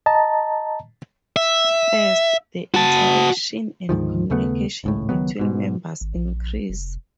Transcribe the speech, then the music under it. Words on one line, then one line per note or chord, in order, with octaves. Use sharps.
First, the interactions and communication between members increase.
D#5 A5 A#5
E5
F#4 A5
D2 G#2 D#3 F3
D#2 C#3 A3 B3
G#1 C#2 A2
C#2 D#3 F#3 B3
G#2 B2
G#1
A#1
F1